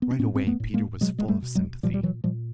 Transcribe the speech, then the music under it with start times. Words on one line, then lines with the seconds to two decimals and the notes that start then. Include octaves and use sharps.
Right away Peter was full of sympathy.
0.02 B3
0.11 C4
0.19 A2 B3 C#4
0.35 C4
0.46 A3 B3
0.60 A2
0.74 G#3 A#3
1.01 B2 F#3 G#3
1.19 G#3
1.28 G3 A3
1.42 B2
1.55 F#3 G#3
1.83 A#2 F3 G3
1.94 G3
2.03 E3 F#3
2.24 A#2 F3 G3